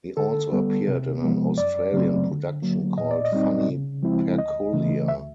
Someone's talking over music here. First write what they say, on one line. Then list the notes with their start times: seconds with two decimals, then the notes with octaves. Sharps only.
He also appeared in an Australian production called "Funny Peculiar".
0.17 D3 A4
0.52 G3 B3
0.88 C3
1.22 F3 G#3 B3
1.57 F#2 D5
1.92 C#3 F#3 A3 C4
2.28 D3
2.62 F#3 A#3
2.98 A#2 D#5
3.11 D5
3.25 D#5
3.32 G3 C4 D#4
3.69 C#3
4.03 F3 G#3 C4 E4
4.38 D2 D#5
4.73 C#3 E3 A3
5.08 D2 E5